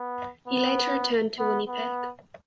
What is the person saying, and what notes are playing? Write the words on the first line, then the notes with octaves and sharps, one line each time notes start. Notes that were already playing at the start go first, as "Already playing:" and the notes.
He later returned to Winnipeg.
Already playing: B3
B3
B3
B3